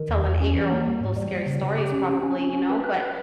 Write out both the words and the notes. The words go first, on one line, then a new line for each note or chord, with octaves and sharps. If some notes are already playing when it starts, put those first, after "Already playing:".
tell an eight-year-old those scary stories probably, you know, but,
Already playing: D#3
E2
E2
C#4
E3
A#3
G3
G#2
G3
G3
C#3
C#3
G4
C#4
C#4
C#4
C#4
C#4
B4
B4
B4